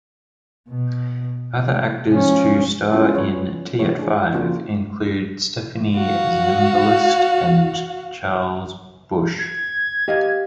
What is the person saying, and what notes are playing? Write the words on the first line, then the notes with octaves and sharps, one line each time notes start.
Other actors to star in "Tea at Five" include Stephanie Zimbalist and Charles Busch.
B2
C3
F3 C#4
G3 G#3 B3 C#4 F4 G#4
F#3 G3 C#4 G#4 B4 C#5
E3 F3 E4 G4 C#5
D4 G#4
C#3 A#3 C4 D4 F4 F#4
F#4 F5
G#6
G4 D#5 F5